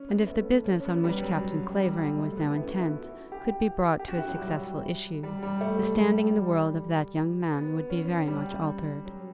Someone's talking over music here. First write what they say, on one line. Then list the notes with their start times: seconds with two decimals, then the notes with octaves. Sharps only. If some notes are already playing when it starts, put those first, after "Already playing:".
And if the business on which Captain Clavering was now intent could be brought to a successful issue, the standing in the world of that young man would be very much altered.
Already playing: C#4
0.09 B3
0.27 A3
0.65 C#4
0.80 C#4
0.85 B3
1.04 G3
1.22 F#3
1.80 G3
2.19 A3
2.37 B3
2.56 E4
2.68 F#4
2.80 E4
3.32 G4
3.99 G4
4.08 F#4
4.18 E4
4.28 F#3
4.37 G3
5.23 G3
5.43 G3
5.61 A3
6.00 G3
6.38 G3
7.52 B3
7.90 C#4
8.28 G3
9.05 F#3